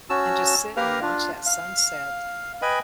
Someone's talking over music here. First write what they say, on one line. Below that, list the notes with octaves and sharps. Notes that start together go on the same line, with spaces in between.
and just sit and watch that sunset
C#4 F#4 A5 E6
A#3 G4 A#4 B4 F5 A#5
D4 F4
F5
B4 D#5 G5 G#5 B5